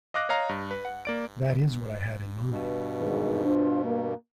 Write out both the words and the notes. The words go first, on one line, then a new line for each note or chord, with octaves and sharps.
That is what I had in mind.
D#5 F5 D6 F#6 A#6
C#5 D#5 F5 A#5
G2
B4
F#5
A#3 D5 D7
G2 B2
G#1 E2 G#2
D4 F4 C5
A#3